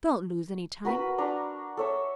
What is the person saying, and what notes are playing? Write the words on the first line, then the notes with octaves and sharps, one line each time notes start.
Don't lose any time.
F#4 A#4 B4 B5
D4 A#5 C#6
A4 C#5 E5